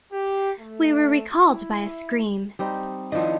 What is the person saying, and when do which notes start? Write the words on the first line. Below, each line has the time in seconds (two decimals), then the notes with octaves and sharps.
We were recalled by a scream.
0.13 G4
0.60 A3
1.47 E4
2.59 G3 C4 D#4
3.12 D#3 F3 E4 D5 D#5